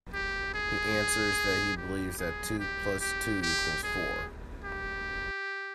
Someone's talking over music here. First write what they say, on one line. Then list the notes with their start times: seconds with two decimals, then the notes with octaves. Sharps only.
He answers that he believes that two plus two equals four.
0.14 G4
0.54 G#4
1.77 G4
2.19 G#4
2.59 G4
3.01 G4
3.42 G4
3.83 G#4
4.65 G4